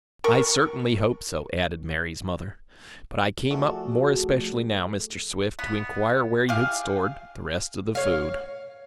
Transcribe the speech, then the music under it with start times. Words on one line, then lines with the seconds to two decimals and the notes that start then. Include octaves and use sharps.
"I certainly hope so," added Mary's mother, "But I came up more especially now, Mr. Swift, to inquire where you had stored the rest of the food."
0.24 A#4 C#6
3.51 F3 A3 F#4 G#4 A4 D5
5.59 B3
6.49 G4 G#4 F5
7.95 C#5 F5